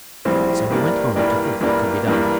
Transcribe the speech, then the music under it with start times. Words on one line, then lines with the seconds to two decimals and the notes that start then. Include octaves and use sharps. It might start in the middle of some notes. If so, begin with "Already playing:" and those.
So he went home to think what could be done.
0.25 A#1 A2 E3 G3 C4
0.70 G2 E3 G3 A#3 D4
1.16 G2 E3 G3 A#3 D4
1.61 G2 E3 G3 A#3 D4
2.06 G2 E3 G3 A#3 D4